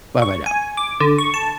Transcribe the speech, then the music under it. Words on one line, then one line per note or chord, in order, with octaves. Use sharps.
Bye-bye now.
C#6
G#5
D6
D3
C#6
A5